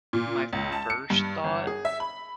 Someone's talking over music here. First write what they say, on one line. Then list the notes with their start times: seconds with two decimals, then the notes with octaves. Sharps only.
my first thought
0.13 A#2
0.53 C#2
0.72 A5
0.90 C#7
1.10 G2
1.44 G1
1.67 G#4
1.85 E5
2.00 B5